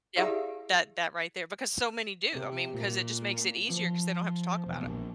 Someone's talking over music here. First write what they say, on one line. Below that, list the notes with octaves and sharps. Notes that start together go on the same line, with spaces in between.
Yeah. That that right there, because so many do. I mean, 'cause it just makes it easier 'cause they don't have to talk about it.
E4 G4 G#4 D5 E5 F5
C3
A#2
F3
E1
A#1